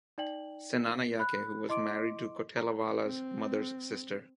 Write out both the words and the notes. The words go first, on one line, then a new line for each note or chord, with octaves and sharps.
Senanayake, who was married to Kotelawala's mother's sister.
D#4 D5 G5 F#7
B5 F#6
E4 D#5 C6 D6 D7
A#5
C4